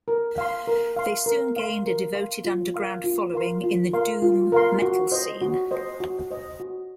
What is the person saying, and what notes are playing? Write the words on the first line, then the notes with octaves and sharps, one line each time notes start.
They soon gained a devoted underground following in the doom metal scene.
A#4
F5 C6
A#4
F5 C6
A#4
F5 C6
A#4
F5 C6
F4
A#4 F5 C6
F4
A#4 F5 C6
F4
A#4 F5 C6
F4
A#4 F5 C6
F#4
C5 D#5
F#4
C5 D#5
F#4
C5 D#5
F#4